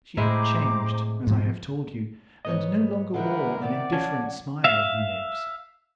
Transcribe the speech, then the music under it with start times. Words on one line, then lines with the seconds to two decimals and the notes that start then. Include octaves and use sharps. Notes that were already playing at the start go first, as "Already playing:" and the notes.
She had changed, as I have told you, and no longer wore an indifferent smile on her lips.
0.17 A2 G#3 C4 E4 C5 A#5 D6
1.27 G#2 F3
2.45 G#2 B3 C#5 D#5
3.14 D3 G3 G#3 E4 A#4 B4 F#5
3.61 C3 D#3 D5 F#5
3.92 F3 C#4 A5 G#6
4.64 E5 F5